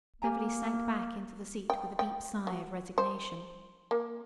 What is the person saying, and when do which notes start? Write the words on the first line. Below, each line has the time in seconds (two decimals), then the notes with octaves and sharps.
Beverly sank back into the seat with a deep sigh of resignation.
0.22 A#3 G4 G#5 A#5
1.70 G5
1.99 G5
2.47 F#3
2.98 C5
3.91 A#3